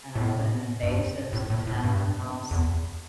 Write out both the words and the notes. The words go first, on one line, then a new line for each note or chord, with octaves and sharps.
and I put 'em in vases in the house
A2
G2
A2
A2
A2
G2
E2